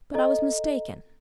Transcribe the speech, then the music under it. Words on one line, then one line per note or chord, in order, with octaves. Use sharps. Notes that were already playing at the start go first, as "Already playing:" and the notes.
But I was mistaken.
A4 D#5 A#5